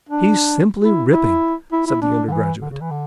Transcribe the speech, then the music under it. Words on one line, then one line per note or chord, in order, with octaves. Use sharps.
"He's simply ripping!" said the undergraduate.
D4
E4
E4
E4
E4
D4
D3
E3
D3
C#3
E3
D3